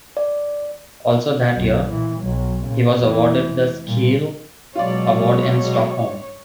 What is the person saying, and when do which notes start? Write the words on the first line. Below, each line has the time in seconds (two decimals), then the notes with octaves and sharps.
Also that year, he was awarded the Scheele Award in Stockholm.
0.17 D5
1.54 B1 F#2
1.88 A#2 E3
2.20 B1 F#3
2.64 A#2 C#3
3.00 F1 E3
3.86 A#2 G3
4.75 B2 F#3 G#3 F4 C#5 D5